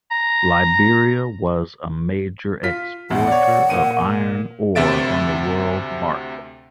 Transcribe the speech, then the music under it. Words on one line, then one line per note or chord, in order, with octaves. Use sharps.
Liberia was a major exporter of iron ore on the world market.
A#5
F4 B6
A#1 E2 F#5
C#5 D5
A#2 D#7
D2 C3 E5 A6 D7